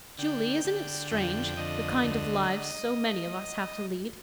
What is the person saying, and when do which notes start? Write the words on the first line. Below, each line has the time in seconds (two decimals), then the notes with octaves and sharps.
Julie, isn't it strange the kind of lives so many of us have to lead?
0.18 D3 G5
0.65 D3
1.11 F2 G5
1.57 D3 D#5
2.04 D2